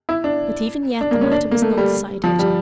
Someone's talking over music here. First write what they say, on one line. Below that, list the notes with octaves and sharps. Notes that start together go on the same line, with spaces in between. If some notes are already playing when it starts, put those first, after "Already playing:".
But even yet the matter was not decided.
E4
D4
D4
A#3
C#4
D4
A#3
A3
G3
F3
G3